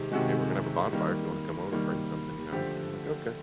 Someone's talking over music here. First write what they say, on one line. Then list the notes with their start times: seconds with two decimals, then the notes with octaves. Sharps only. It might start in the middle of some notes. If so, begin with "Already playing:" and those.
"Hey, we're gonna have a bonfire. If you wanna come over, bring something," you know, and they're, like, "Okay,"
Already playing: C3 D#3 G#3 G4
0.12 C3 D#3 G#3 F#4
0.93 D#3 G3 A#3
1.72 D#3 G3 A#3
2.52 D3 F3 A3 G4